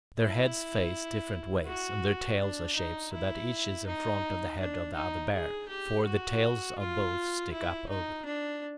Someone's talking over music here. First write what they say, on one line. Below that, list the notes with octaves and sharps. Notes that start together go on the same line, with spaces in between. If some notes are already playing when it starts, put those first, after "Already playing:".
Their heads face different ways, and their tails are shaped so that each is in front of the head of the other Bear; for the tails of both stick up over them.
E4
F#4
D4
D#4
E4
D#4
D4
D#4
G#4
G4
F#4
F4
E4
D#4
D4